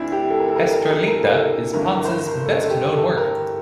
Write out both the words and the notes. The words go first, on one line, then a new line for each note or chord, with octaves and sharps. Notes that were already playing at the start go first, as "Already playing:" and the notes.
"Estrellita" is Ponce's best known work.
Already playing: D2 C4 D4 E4
G4
A4
A#4
A4
A#4
A4
A#4
A4
A#4
A4
A#4
A4
A#4
A4
G1 G2 E3 A#4
A#4
C5
A#4
A#4
A4
A4
G4
A4
A#4